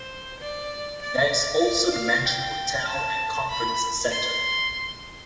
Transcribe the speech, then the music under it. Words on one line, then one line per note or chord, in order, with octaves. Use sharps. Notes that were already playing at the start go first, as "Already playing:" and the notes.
There is also the Mansion Hotel and Conference Centre.
Already playing: C5
D5
D5
D5
F5
G5
A5
B5
C6